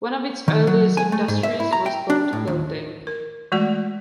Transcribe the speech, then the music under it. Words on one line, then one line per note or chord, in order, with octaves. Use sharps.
One of its earliest industries was boat building.
D#3
F#3
G#5
A3
G#2
E5
E4
A#5
G5
D4
A2
D#2
A#4
E3 G#3 A3 F#4 D5